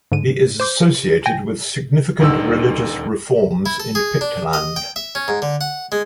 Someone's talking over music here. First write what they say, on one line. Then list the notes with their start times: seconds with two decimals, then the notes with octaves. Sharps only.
He is associated with significant religious reforms in Pictland.
0.12 G#2 D3 D#7
0.60 C5 D6 G6
1.26 G5 G#5 G6 A#6
2.20 D#1 D2 D#3 E6
3.66 E4
3.80 A4
3.95 G#4
4.21 D4
4.53 D#5
4.76 G5
4.96 E5
5.15 C#4
5.28 G#2
5.42 D3
5.61 F#5
5.92 G#3